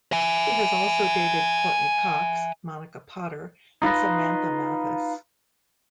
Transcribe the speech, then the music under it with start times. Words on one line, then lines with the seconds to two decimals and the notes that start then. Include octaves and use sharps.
He has also dated Courteney Cox, Monica Potter, and Samantha Mathis.
0.12 E5 G#5
3.82 D#4 F4 B4 D#5